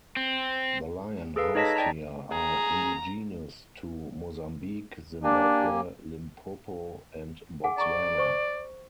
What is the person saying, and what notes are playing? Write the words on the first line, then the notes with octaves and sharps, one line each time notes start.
The lion housed here are indigenous to Mozambique, Zimbabwe, Limpopo, and Botswana.
C4
G#4 A4 B4 F5
D#4 C#5 D#5 A5 A#6 B6
D5 G5 A5 A#5
G#4 A#5
A#3 D4 G4 G#5
G#4 F#5 G#5
D5 A#5 C#6
C5 C#6